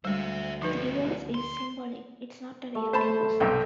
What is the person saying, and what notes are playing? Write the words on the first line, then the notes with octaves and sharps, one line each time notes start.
The divorce is symbolic, it's not a real divorce.
D2 G3 G#3 C5 E5
F3 G#3 D4 D#4 B4
C6
A3
C5 A5 B5
B1 G2 C3 G5